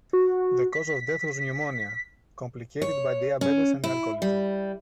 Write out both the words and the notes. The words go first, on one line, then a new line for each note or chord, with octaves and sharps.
The cause of death was pneumonia, complicated by diabetes and alcoholism.
F#4
B6
C#5
C#4
E4
G3